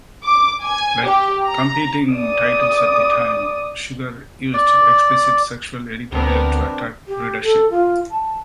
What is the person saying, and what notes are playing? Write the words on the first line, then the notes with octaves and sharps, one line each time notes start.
Like competing titles at the time, "Sugar" used explicit sexual editorial to attract readership.
D6
G#5
G4
A#5
D5 D#6
D5
D2 B3 C4 D4 A#4 C5
G4
A4
F4
A5